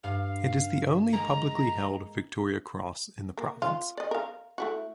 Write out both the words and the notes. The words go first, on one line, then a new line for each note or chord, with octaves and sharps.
It is the only publicly held Victoria Cross in the province.
G2 F5
G#3 A#3 A#5
A#3
F4
D5 D#5
A#4 F5
A3 E4 F#4